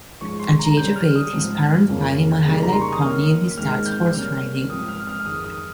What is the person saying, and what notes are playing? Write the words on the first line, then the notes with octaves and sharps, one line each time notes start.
At the age of eight, his parents buy him a Highland pony and he starts horse riding.
G#2 F3 G#3 C#4 C#6
C6
A#5
C#3 G3 C#4 G6
F6
D#6
G#2 F3 C4
F2 C#3 F3 A#3 C#4
C#3 G3 A#3 D#4
A#5
C6
C#6
D#6
D#3 A#3 C#4 F6
G#2 D#3 G#3 C4 D#4 F6
G6
C#3 G3 A#3 C#4 F6
G#2 F3 C4 D#6
F6
D#6
F6
F6
F2 D#3 G#3 D#6
D#6